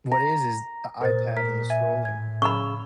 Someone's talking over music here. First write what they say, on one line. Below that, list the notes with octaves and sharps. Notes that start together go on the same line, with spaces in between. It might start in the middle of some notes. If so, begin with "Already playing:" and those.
What it is is the iPad and the scrolling.
A#5
A#2 A#4 C5 A6
A#4 B6
E5 G#5
A2 G#6
C#3 B5 C#6 E6